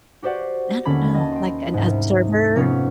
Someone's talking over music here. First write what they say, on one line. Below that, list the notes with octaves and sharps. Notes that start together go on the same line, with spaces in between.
I don't know, like an observer?
F#4 G4 C5 D5 F#5
D#2 D3 C#4 B5 G#6
D#5 A5
G5 C6
C2 G#2
F1 B3 C#4 F4